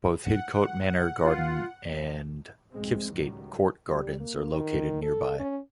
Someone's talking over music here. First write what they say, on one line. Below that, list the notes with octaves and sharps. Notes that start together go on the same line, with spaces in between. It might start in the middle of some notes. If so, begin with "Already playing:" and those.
Both Hidcote Manor Garden and Kiftsgate Court Gardens are located nearby.
F#5
F4
F1 B1 G#2 G#3 C4
C#2 A2 D#3 F#3 G3
G3
A#3
D#3
A4
C#4